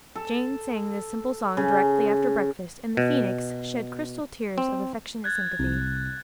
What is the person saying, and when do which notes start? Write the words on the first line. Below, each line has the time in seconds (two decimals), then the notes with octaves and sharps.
Jane sang this simple song directly after breakfast, and the Phoenix shed crystal tears of affectionate sympathy.
0.16 A4
1.57 C#3
2.97 B2
4.58 C4
5.24 F#6 G#6 A6
5.59 C2